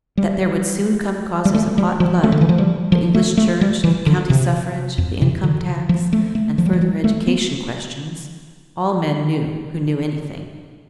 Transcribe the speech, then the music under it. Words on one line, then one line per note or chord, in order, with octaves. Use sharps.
That there would soon come causes of hot blood,--the English Church, the county suffrage, the income tax, and further education questions,--all men knew who knew anything.
G3
G3
A3
G3
F3
A3
D3
E3
F3
G3
F3
A3
A3
G3
E3
D3
C3
F2
C3
D3
F3
A3
A3
F3
G3
F3
G3
A3
B3